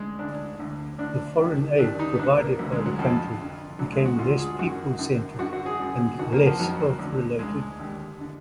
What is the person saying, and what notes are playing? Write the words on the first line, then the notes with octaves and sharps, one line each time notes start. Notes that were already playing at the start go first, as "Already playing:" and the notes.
The foreign aid provided by the country became less "people-centered" and less health-related.
Already playing: D2 D3 G#3
D2 D3 D4
D2 D3
D2 D3 D4
D#2 D#3
D#2 D#3 D4
D#4
B3
D2 D3 D4
A#3
D2 D3 F#3
G#3
F#3
F2 D3 F3
F2 D3
D2 D3 F#3
G#3
F#4
D2 D3 F4
G#4
F#2 D#3 F#4
F#2 D#3
F#2 D3 F#4
F#4
G#4
F#2 D3
F2 D#3 F#4
A#3
F3
F2 D#3 F#3
D2 D3
D2 D3 G#3
D#2 D3
D3